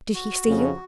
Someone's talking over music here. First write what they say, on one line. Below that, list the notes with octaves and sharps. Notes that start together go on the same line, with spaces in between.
"Did he see you?"
F#4
F2 C#3